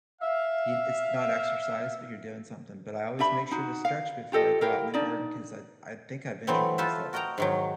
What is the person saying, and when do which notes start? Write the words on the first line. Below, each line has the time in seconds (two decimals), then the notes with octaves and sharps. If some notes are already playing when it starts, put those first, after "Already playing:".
eat it's not exercise, but you're doing something, but I always make sure to stretch before I go out in the garden 'cause I I think I've injured myself before.
0.22 E5 F5
3.19 D4 G4 E5 B5
3.51 D#4 F#4
3.85 F5
4.32 F4 G4 A4 D#5
4.61 E4 G4 A#4 F5
4.94 D4 D#4 D5
6.47 E3 F#3 A3 B3 C4
6.78 F4 A4 B4 C5 E5
7.13 F#4 A#4 D#5 G5 A#5
7.38 G#2 D#3 F#3